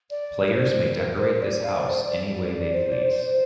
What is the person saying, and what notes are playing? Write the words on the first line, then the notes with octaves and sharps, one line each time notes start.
Players may decorate this house anyway they please.
D5
D5
C5
A#4
C5
C5
D5
F5
D5
C5
D5
C5
D5
C5
C5